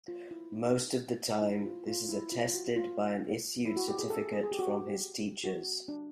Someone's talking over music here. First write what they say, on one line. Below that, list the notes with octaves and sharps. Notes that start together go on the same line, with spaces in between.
Most of the time this is attested by an issued certificate from his teachers.
F4
E4
D#4
E4
F4
F4
E4
F4
F4
F#4
F4
E4
F#4
G4
G#4
A4
G#4
G#4
G#4
G4
F#4
G4
F#4
D4